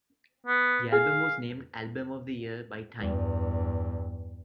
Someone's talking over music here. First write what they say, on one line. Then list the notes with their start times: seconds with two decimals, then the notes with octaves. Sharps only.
The album was named "Album of the Year" by "Time".
0.47 B3
0.92 G#4 F5
2.99 E2 G2